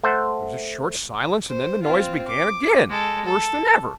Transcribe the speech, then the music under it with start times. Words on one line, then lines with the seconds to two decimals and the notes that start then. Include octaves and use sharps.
There was a short silence, and then the noise began again, worse than ever.
0.03 A3 C5 F#5
1.49 C5
1.83 C4 F4
2.28 D6
2.89 G#3 A4
3.25 A4